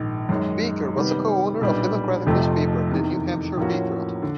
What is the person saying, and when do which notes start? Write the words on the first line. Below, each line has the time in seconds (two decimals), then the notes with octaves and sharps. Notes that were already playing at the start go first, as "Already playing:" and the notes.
Baker was a co-owner of a Democratic newspaper, the "New Hampshire Patriot".
Already playing: A#1 G#2 D#3
0.29 F#2 D#3 G#3
0.96 C3 D#3 G3 B3
1.61 B1 A#2 G3 B3 D4
2.26 F1 F2 C3 F3 A3
2.91 E2 C3 D#3
3.57 A2 F3 A#3 C#4 F#4
4.22 D3